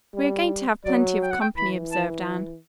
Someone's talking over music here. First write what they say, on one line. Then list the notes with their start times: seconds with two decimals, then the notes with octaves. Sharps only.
"We are going to have plenty of company," observed Anne.
0.14 G3
0.85 F#3 D5
1.22 G5
1.31 F#5
1.41 G5
1.57 E3 B5
1.92 A5